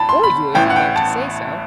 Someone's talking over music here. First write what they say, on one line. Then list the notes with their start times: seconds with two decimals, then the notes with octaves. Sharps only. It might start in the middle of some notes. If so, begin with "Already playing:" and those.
"Or you, if you like to say so."
Already playing: D2 A5 B5
0.09 C6
0.24 B5
0.54 A1 A2 E3 G5
0.70 F#5
0.76 G5
0.96 A5